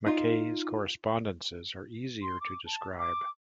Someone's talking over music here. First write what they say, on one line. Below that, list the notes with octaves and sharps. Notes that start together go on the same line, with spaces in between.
McKay's correspondences are easier to describe.
D#4 F4
C6
D6
A5
D6